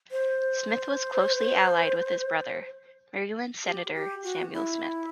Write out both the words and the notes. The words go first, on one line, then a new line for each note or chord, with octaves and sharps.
Smith was closely allied with his brother, Maryland Senator Samuel Smith.
C5
G4
G4
F#4
E4